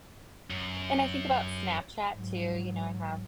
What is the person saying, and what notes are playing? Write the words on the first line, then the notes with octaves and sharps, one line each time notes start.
and I think about Snapchat, too, you know, I have,
F#2
G#2 F#3